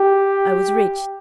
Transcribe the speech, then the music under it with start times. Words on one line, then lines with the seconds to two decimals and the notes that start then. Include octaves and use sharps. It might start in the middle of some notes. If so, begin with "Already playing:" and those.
I was rich.
Already playing: G4